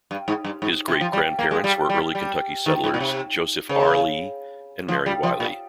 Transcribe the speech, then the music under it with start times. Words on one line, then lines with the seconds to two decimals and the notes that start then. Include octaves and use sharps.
His great-grandparents were early Kentucky settlers, Joseph R. Lee and Mary Wiley.
0.11 G2
0.28 G#2
0.45 G2
0.62 G#2
0.88 C3
1.01 F3
1.13 G3
1.39 A#3
1.51 G#3
1.64 G3
1.90 G3
2.15 G3
2.66 D#3
2.84 G#2
2.94 A#2
3.00 C3
3.69 C#3
4.89 F3
5.06 G3
5.23 F3
5.40 A#2